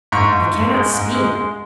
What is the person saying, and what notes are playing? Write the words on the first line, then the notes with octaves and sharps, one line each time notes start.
I cannot speak!
G#2 C#6
G#2
G#2
G#3
G#2
G#3
G#3